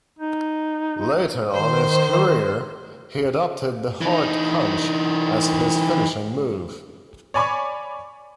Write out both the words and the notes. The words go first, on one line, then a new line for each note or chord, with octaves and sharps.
Later on in his career, he adopted the heart punch as his finishing move.
D#4
D#3 C5
E3 D#4
C#5 D5 G#5 B5 C#6 D6